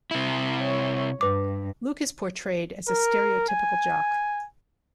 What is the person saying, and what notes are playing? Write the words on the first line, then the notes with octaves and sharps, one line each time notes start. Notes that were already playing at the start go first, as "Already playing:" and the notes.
Luke is portrayed as a stereotypical jock.
C3 E4
C#5
G2 B4 D6
A#4
G#5